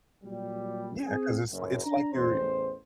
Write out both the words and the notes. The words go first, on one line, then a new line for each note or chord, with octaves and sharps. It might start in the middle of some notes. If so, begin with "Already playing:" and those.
Yeah, 'cause it's li it's like you're
A#2 F#3 G3
C4 G#4
F#1 F#2
D4 A#5
A1 E2 C5